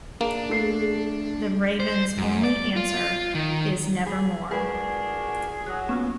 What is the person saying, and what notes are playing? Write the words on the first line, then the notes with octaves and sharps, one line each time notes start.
The raven's only answer is "Nevermore".
A#3 D4 G#4
A3 C7
C5
F#2
D5
F4
D#3
G#4 B5
G#3 D4 F#4 G#4 A#4 B4 B5
F#3 F#5 D#6 F#6
A#3 B3 C#4 F4 F#4